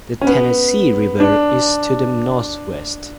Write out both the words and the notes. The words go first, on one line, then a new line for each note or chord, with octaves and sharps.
The Tennessee River is to the northwest.
C#4
B3
D4